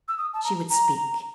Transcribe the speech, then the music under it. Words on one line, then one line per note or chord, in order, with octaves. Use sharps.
She would speak.
E6
D#6
A5
A#5
A#5